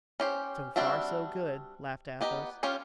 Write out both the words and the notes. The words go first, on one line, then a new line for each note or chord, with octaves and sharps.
"So far, so good," laughed Athos.
C#4 G4 C5
G3 C4 D4 F#4 E5
B3 G4 D#5 A#5
C#4 F4 G4 C#5